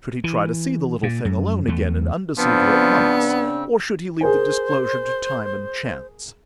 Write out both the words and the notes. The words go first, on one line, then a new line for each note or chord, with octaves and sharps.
Should he try to see the little thing alone again and undeceive her at once, or should he leave the disclosure to time and chance?
E3
A#2
F#2
E2 A3
C#3 F3 B3 C4 D4
G#4 A#4 C5 G#5